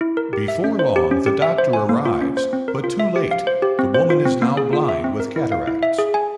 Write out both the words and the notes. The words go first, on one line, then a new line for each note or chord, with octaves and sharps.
Before long, the doctor arrives, but too late-the woman is now blind with cataracts.
E4
A#4
G4
E5
C#4
C5
G4
C#4
G4
E5
C5
G#5
A#3
F4
C#4
C5
C4
A#4
F4
E5
G4
F5
C5
G4
C4
C5
F4
C4
A#3
G#4
F4
E5
C4
A#4
E4
F5
E4
E5
G#4
G#5